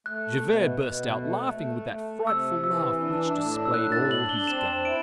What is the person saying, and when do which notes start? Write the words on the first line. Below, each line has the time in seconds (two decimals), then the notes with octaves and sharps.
Javert burst out laughing with that frightful laugh which displayed all his gums.
0.06 A3 F#6
0.42 B2
0.79 B2
1.17 A3
1.54 A3
1.90 A3
2.26 C3 E6
2.63 E3 E6
3.00 D4
3.37 A2
3.65 E6
3.74 D4 F#6
3.92 A6
4.11 D4 F#7
4.29 G7
4.47 C4 E7
4.85 E4 D7